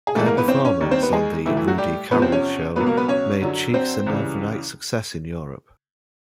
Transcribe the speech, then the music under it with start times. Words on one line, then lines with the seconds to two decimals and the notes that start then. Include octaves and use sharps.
Their performance on "The Rudi Carrell Show" made Cheeks an overnight success in Europe.
0.07 G#4
0.15 G#2 E3 G#3 A3 A4
0.26 A#3 A#4
0.37 B3 B4
0.48 C4 C5
0.65 C#4 C#5
0.81 D#2 D#3 G3
0.91 C4 C5
1.03 B3 B4
1.13 G#3 G#4
1.46 A2 E3 F#3 A3 E4
1.57 E3 E4
1.68 F#3 F#4
1.78 G3 G4
2.11 E2 C3 F3 B3 B4
2.22 C4 C5
2.32 C#4 C#5
2.76 C#2 B2 F#3 A#3 B3 B4
2.86 A#3 A#4
2.97 B3 B4
3.08 C#4 C#5
3.41 F#2 D3 F#3
3.74 C4 C5
4.07 C#2 C#3 E3 G3